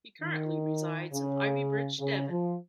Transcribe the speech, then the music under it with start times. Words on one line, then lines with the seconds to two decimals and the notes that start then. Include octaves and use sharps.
He currently resides in Ivybridge, Devon.
0.23 D#3
1.11 C#3
1.99 C#3
2.30 F3